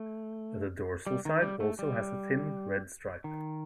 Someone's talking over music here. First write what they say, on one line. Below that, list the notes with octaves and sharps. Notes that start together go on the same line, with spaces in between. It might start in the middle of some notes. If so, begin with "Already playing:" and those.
The dorsal side also has a thin red stripe.
Already playing: A3
G3
D#3
G3
A3
G3
D#3